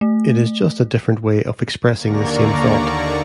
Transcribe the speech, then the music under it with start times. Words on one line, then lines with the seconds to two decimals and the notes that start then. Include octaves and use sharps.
It is just a different way of expressing the same thought.
0.01 A3
1.98 D#2 D3 A#3 D5 A#5 C#6